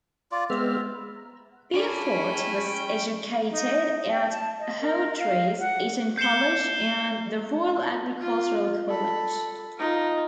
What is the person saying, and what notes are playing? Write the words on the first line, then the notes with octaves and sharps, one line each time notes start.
Beaufort was educated at Hawtreys, Eton College, and the Royal Agricultural College.
F4 D5
G#3 B3 C4 E5 F6
G#3 C#4 D4 E4 D5 G5 A5 B5
D#4
G5
A5
D#5
A#4
F5
F#5
G6 C7 C#7 E7 G7
F4
A4 B5
D#4 F4